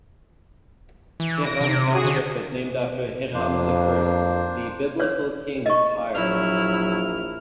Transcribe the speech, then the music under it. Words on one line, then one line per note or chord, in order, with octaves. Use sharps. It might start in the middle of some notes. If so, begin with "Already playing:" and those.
Hiram Township was named after Hiram I, the biblical king of Tyre.
E3
A#6 D7
C3
F#4 G#4 D#6
D3
F2 A#3 D4 C5
C#5 D5
D#5 C#6
A#1 F#3 E4 F6